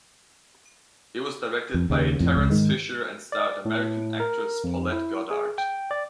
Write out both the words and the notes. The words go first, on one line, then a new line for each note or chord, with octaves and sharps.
It was directed by Terence Fisher and starred American actress Paulette Goddard.
F2
D#2 C#3
F2 A2
C#2
G#2 D#3 G#3
D5
A2
A#4
F2
E4
G#4
G5
D5